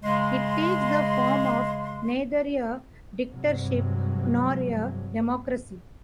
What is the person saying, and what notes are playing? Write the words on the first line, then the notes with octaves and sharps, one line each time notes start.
It takes the form of neither a dictatorship nor a democracy.
C#3 G#3 C6
G2 C3 F#3 G#3